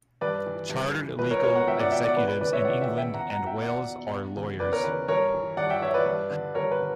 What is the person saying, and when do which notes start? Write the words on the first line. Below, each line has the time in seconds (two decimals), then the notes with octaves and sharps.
Chartered Legal Executives in England and Wales are lawyers.
0.21 G2 B4 D5
0.46 E3
0.69 G2
0.94 E3
1.19 C#2 B4
1.31 A#4 C#5
1.43 B2 A#4 C#5
1.55 F#5 A#5
1.67 C#2 E5 G5
1.80 D5 F#5
1.92 B2 E5 G5
2.04 D5 F#5
2.17 C#2 B4
2.28 B4
2.41 C#3 E3 B4 D5
2.53 C#5 E5
2.64 C#2 D5 F#5
2.81 E5 G5
2.90 C#3 E3
2.98 E5 G5
3.14 E2 F#5 A#5
3.30 F#5 A#5
3.38 B2
3.46 E5 G5
3.62 E2 D5 F#5
3.87 B2
4.12 E2
4.36 C#3 E3
4.60 E2 B4 D5
4.72 A#4 C#5
4.84 C#3 E3 B4
5.08 G2 A#4 C#5
5.34 E3
5.57 G2 D5 F#5
5.70 E5 G5
5.82 E3 C#5 E5
5.94 B4 D5
6.06 G2
6.30 D3
6.55 G2 A#4 C#5
6.72 B4
6.80 D3